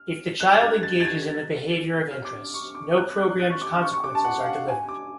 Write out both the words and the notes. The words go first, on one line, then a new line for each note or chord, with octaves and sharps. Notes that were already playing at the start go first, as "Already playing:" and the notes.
If the child engages in the behavior of interest, no programmed consequences are delivered.
Already playing: F6
F#6
A6
G#6
A6
A6
G#6
F6
D6
C#6
D6
F#6
F#6
F#6
C#6
D6
C#6
C#6
D6
A5
F#5
F5
F#5
G#5
D6